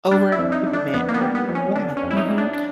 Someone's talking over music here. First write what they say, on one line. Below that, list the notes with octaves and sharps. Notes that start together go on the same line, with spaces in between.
over an argument. Or Yeah. Mhm.
G3 D4
E4
F2
D#4
D3
D4
F2 B3
A#3
B3
G3
B3
F2
C#4
D3 D4
C#4
F2
E4
D#4
G3
D4
D4